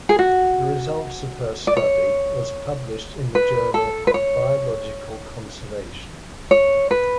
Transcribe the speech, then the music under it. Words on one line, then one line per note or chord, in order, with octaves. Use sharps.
The results of her study was published in the journal "Biological Conservation".
G#4
F#4
D5
C#5
B4
A4
B4
C#5
C#5
B4